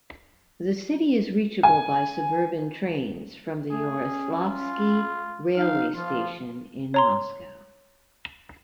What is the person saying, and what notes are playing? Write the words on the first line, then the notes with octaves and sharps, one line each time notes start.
The city is reachable by suburban trains from the Yaroslavsky railway station in Moscow.
G#5
A3 G#4
C#4
F4
D#4 F5
F3 F4
C#5 A#5 C6